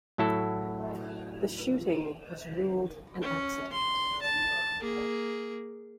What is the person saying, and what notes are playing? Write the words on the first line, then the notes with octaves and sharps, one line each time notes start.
The shooting was ruled an accident.
A2 F#3 E4 F#4 A4
C#4
C6
A5
A#3 G#4